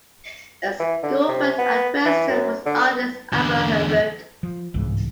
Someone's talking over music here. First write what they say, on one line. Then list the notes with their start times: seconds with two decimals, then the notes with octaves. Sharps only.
A schoolfriend at West Ham was artist Albert Herbert.
0.79 E3
1.03 D3
1.28 C3
1.59 B3
2.05 E3
2.29 F#2
2.66 D3
3.33 E2 D3
4.43 F3
4.74 G1 C2 G#2 E3